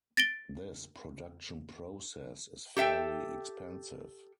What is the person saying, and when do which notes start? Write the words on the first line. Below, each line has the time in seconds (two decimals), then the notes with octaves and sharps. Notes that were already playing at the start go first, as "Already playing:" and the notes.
This production process is fairly expensive.
0.17 A6 A#6 D7 G7
2.77 G4 A4 E5 G5